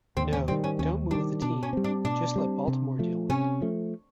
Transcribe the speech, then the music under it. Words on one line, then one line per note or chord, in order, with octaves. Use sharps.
No, don't move the team, just let Baltimore deal with it.
D#2 C4
C#4
D#3 G3 C4
C#4
D#2 C#4
D#3 G3 D4
B2 D4
C#4
G3 C4
D4
B2 D4
G3 C4
C3
F3 A3
C3 C#4
F3 A3